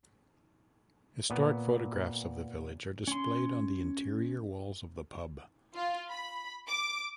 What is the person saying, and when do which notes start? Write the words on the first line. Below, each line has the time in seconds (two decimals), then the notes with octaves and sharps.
Historic photographs of the village are displayed on the interior walls of the pub.
1.30 A#2 B3
3.08 C#4 C6
5.75 F4
6.11 B5
6.68 D6